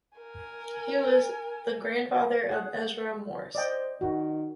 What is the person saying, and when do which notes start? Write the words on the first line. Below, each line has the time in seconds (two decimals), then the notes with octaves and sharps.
He was the grandfather of Ezra Morse.
0.18 A#4 G#5
2.50 G#4 F#5
3.55 C5 D5 D#5 G5
4.01 D#3 F#4